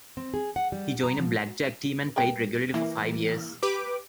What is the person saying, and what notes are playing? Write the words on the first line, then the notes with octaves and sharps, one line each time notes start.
He joined a blackjack team and played regularly for five years.
C4
G#4
F#5
G3
A#5
F3
A#4 B4 G5
E3 A#3 E4
G4 B4 D6